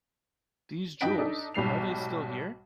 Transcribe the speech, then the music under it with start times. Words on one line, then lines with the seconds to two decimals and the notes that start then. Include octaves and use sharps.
These jewels — are they still here?
1.01 G2 D#4 F#4 G5 B6 D7
1.18 D4 D#4 A4
1.54 B1 G#2 G3 C7 F7